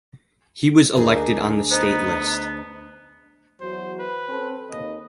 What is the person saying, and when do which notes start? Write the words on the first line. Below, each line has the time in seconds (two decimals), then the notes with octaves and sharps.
He was elected on the state list.
0.96 D2 D4 D#4 G#4 A#4
1.71 B3 D#4 C5
3.61 E2 F#3 F#4 C5
4.00 B4
4.29 C4 C#4 A4
4.71 D#2 D#5